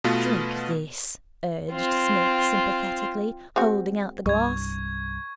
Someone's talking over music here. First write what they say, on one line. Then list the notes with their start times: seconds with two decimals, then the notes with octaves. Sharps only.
'Drink this,' urged Psmith sympathetically, holding out the glass.
0.04 B2 A3 B3 F4
1.73 C4 F4
3.56 G#3 C4 F#4
4.26 C2 G2 G3 C#6 G#6